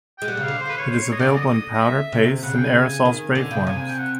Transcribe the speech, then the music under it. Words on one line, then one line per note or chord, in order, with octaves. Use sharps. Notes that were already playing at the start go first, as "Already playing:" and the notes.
It is available in powder, paste and aerosol spray forms.
G#3 G5
G3 F#5
C#3
F5
D3
C5
B4
C#5
C5
C#5
D#5
D3 D5
D#5
D#5
E5
C3
C#3 F#5
G5
G#5
D#3
D3 G#5
C#3 G5
C3 G#5
G#5
G5
F#5